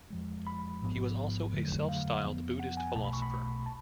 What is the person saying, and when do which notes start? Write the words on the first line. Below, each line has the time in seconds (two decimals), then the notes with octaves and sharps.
He was also a self-styled Buddhist philosopher.
0.10 F2 F3 G#3
0.47 B5
0.82 A1 G#2 F3 B3
1.53 F2 D3 F#3 A3
1.89 F5
2.24 F2 F3 B3
2.60 F#5
2.77 G#5
2.95 B1 B2 A3 A5
3.04 B5
3.13 C#6
3.22 B5
3.66 A5